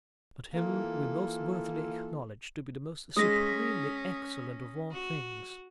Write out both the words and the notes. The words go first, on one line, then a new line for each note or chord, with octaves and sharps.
But Him we most worthily acknowledge to be the most supremely excellent of all things.
E3 A#3 F4 A4
G#3 C#4 D#6 A#6 B6
F#4